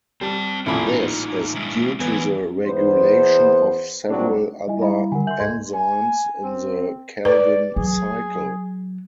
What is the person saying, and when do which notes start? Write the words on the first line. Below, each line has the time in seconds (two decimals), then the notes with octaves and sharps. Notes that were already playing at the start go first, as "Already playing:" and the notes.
This is due to the regulation of several other enzymes in the Calvin cycle.
0.21 G3 C4 A5
0.66 A1 A#2 D3 A4 G#5 B5
0.85 A2 D#4
1.56 G#3 D4 E4
2.00 E3 F#3 B3 G#5
2.65 E2 B3 C5
4.09 C2 G#2 F#3 C4 D4
4.68 G3 E4 D#5 E5 G#5
4.82 G3 E4 D#5 F5 A#5 B5
5.12 D3 G3 A#4 F#5 G#5
5.27 E5 G#5 C6 G6 F#7
5.40 C#2 G#2 A4 D#5 C6 G#6
5.74 G#5
6.43 C4
7.25 B4 D5
7.76 F#3 G#4